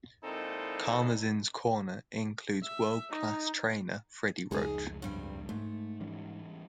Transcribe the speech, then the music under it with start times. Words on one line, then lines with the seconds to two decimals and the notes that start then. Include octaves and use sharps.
Karmazin's corner includes world-class trainer Freddie Roach.
0.24 A#2 G#3 C4 D#4 E4 A4
2.63 E5
3.11 D#4
4.51 F1 C#2 G#3 D#4 G#4
5.02 G2 G3 C4
5.49 G#2 A3
6.00 E3 G3 C#4